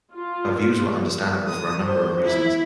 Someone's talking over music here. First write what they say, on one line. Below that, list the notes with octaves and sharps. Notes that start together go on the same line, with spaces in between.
Her views were understandable for a number of reasons.
F4
D#6
C5
E4